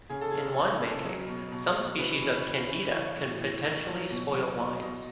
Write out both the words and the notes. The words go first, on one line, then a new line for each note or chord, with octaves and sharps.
In winemaking, some species of "Candida" can potentially spoil wines.
C#3 G#4
A4
C#3 G#4
C#3 C#5
C#3
F#3 D#5
B2
B2
B2
E3 B4
C#3
C#3
E3
E3 C#5
A2
E3
E3
F#3
B2
F#3
B2
B2 D#5